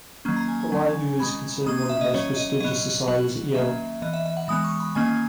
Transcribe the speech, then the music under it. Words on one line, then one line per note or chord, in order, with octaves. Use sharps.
Elihu is considered one of the most prestigious societies at Yale.
D#3 F#3 A#3 C#4
A#5
G#5
G#5
F#3 C#4
D#3 G#3 C#4 B5
D#3 A#3 C#4 D#6
D#6
E5
D#5
D#3 F#3 C#4 C#5
D#5
F#3 B3 D#5
F#3 B3 F#5
D#3 F#3 A#3 C#4 E5
E3 B3 D#5
E5
E5
F#5
E3 G#3 B3 D#6
C#6
B5
D#3 A#3 C#4 G#5